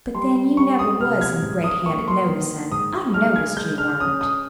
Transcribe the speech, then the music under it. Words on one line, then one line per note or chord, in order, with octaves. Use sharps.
But then you never was any great hand at noticin', I've noticed you weren't.
G3 C6
G3 C#6
D#6
C3 F6
G#6
G#2
D#6
A#3 C#6
C6
D#3
G#2 D#6
G#3 F6
G#6
G#3 G6
F6
C#4 D#6
D#6